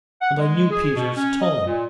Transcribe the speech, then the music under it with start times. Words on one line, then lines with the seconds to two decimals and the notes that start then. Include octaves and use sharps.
And I knew Peter's tone.
0.21 F#5
0.38 G#3
0.71 G#4
0.95 B2
1.17 C#4
1.41 D#5
1.66 A#2